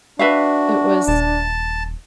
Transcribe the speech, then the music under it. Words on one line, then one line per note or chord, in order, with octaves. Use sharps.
it was
D4 F#4 B4 E5 F5
D#1 A5